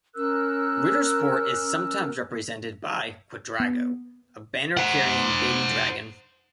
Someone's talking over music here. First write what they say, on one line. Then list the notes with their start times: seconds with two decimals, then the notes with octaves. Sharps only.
Ritter Sport is sometimes represented by "Quadrago", a banner-carrying baby dragon.
0.15 C#4 A#4 E6 F#6
3.60 B3
4.77 C5 F#5